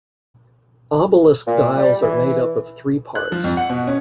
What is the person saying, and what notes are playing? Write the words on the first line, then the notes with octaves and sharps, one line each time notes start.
Obelisk dials are made up of three parts.
A#2
G3
E3
F#6
F3
F2
F#5
B2
C#4